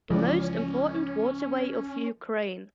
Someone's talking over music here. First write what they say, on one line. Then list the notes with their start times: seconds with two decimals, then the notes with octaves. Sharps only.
The most important waterway of Ukraine.
0.10 C#2 E3 F3 C#4 D5